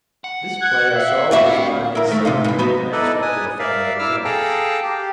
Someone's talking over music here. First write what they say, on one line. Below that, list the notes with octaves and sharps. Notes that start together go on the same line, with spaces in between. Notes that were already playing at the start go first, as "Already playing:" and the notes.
This play, I saw, was by his son, and I expected a family resemblance.
F#5
F#6 G#6
E5 F5
D2 C4 F#4 G4 E5 B5
E4 A#4
D#3 A3
C3 D#4 F4
A2 E3
F#3 B3 D#4
D#4 E4 A4 B4 D5 D#5
B4 G#5 D#6
A#4 D5 E5 F5
E4 D6 E6 F6
G#4 A4 F5 G5 A5 A#5
G4